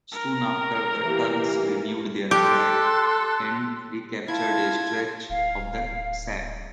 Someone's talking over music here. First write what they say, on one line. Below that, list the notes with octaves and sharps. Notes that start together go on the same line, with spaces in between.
Soon after, the Turks renewed their attack and recaptured a stretch of the sap.
A#4
E3 A#3 G4
G4 A4 C6 F#6
E4 F4 A5 G#6
D1 F5